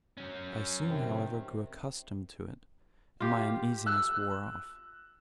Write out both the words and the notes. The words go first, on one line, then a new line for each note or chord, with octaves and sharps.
I soon, however, grew accustomed to it, and my uneasiness wore off.
F#3 C#4
C3 D#3 C4
F4 G4
E6 F#6